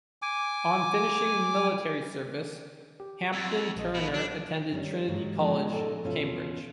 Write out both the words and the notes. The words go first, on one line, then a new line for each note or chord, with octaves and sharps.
On finishing military service, Hampden-Turner attended Trinity College, Cambridge.
G#5 D6
G4
F2 E6 G#6 A6
A#1 D#5
B2
F#3 D4
D#3 G3 C#4
G#2 F#3 G#3
F3 G3 G#3 B3
A#2 D#4 A4 G#5 A#5
E2 B2 C#4 F4 E5